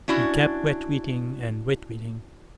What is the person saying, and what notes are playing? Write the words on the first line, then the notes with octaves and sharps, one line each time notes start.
We kept wetweating and wetweating.
C#4 D4 E4 F#4